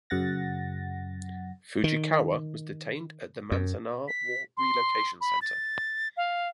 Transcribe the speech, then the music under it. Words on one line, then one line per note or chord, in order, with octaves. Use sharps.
Fujikawa was detained at Manzanar War Relocation Center.
F#2 C#3 F#5 A6 A#6
D#3
F#2
B6
C6
B5
A6
F5